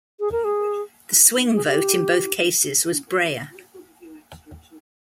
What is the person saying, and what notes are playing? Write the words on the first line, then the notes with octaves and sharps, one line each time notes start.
The "swing vote" in both cases was Breyer.
G#4
A#4
G#4
G#4
G4